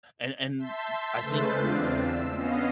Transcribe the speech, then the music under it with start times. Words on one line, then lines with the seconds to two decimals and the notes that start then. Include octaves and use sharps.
And and, I think
0.58 E5 A5 C6 G6 B6
1.22 C#3 G#3 A3 B4 C5 A6
1.53 E2 C4 D4 F4
1.96 E6
2.33 B3 C#4 D#5 F5